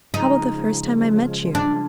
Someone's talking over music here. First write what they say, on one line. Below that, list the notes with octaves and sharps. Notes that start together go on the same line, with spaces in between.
How about the first time I met you?
C#3 F3 G#3 D#4
D4